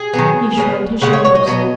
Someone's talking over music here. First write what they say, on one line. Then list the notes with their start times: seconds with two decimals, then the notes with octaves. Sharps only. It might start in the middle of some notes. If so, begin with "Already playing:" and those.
He shrugged his shoulders.
Already playing: G#4
0.13 D#3 F#3 B3
0.57 C#3 G#3
0.62 B3
1.02 C#3 G#3 F#5
1.13 C#5
1.24 C#5
1.35 D#5
1.46 B2 F#3 B3